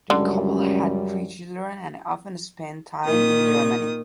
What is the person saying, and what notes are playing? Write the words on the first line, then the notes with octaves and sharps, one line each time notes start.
The couple had three children and often spent time in Germany.
C#2 F#2 D3 G3
A#2 D#3 D#6